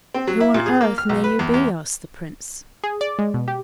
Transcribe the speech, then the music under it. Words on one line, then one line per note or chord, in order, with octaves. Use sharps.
"Who on earth may you be?" asked the Prince.
C4
F#3
E4
A#2
G#4
A#3
F6
B1
B4
E2
E2
G#4
D5
G#3
B2
G4